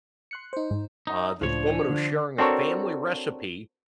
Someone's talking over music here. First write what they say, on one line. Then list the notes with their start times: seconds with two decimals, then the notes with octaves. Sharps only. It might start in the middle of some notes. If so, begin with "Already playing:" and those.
Uh, this woman was sharing a family recipe,
0.31 C6 F#6 C#7
0.53 D#4 C5
0.71 G#2
1.07 D#4
1.42 C#2 A2 F3 D4 C#5
1.90 D3
2.38 C4 D4 F#4 A4 A#4 C#5